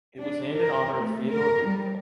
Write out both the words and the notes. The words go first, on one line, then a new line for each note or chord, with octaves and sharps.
It was named in honor of Theodore Roosevelt.
D4
A#4
A3
A#4
G3